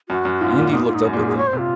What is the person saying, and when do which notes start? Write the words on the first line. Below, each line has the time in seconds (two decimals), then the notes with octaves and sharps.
Andy looked up at them.
0.09 F#2 F#4
0.25 F#2
0.41 G#2 F4
0.57 A#2
0.73 A#2 D#4
0.84 F4
0.89 G#2
0.94 D#4
1.05 F#2
1.13 A#2 G#4
1.21 G#2
1.26 G#4
1.37 C#5
1.47 C5
1.53 C3
1.58 F4